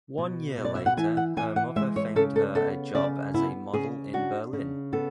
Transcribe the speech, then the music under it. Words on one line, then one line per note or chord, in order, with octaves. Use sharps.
One year later her mother found her a job as a model in Berlin.
B2
B2
D5
E5
F#5
E3 G#5
F#5
E3 G#5
F#5
G#3 E5
C#5
C#3 A4
A4
B3 A4
C#3 D5
B3 E4
C#3 G#4
D4 F#4
C#3
B3 A4